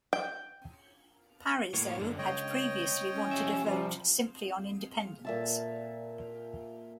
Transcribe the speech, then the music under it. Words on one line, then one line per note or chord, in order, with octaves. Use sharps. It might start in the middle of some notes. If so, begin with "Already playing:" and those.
Parizeau had previously wanted a vote simply on independence.
G5
A2 A#3 C#5
F#2 D3
C#2 C#5 D#5 G5
C#4
F3 G4 E5
C3 F3 G3
A#2 E5 A5